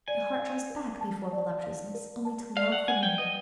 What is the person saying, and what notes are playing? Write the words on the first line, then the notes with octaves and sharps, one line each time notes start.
The heart draws back before voluptuousness only to love the more.
D5 G#5
F5
A#4
A5
D5
F5
A#4
A5
D5 F5
F#5
F#5 G#5
G5
B4 D#5